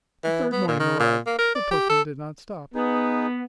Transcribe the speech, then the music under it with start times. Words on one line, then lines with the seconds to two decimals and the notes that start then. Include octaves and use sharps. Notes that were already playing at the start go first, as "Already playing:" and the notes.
The third morning arrived; the postman did not stop.
0.24 E3
0.52 B3
0.68 A#2
0.80 D#3
1.00 A#2
1.26 A#3
1.39 A#4
1.55 D5
1.71 G4
1.90 A4
2.75 B3 D#4 G#4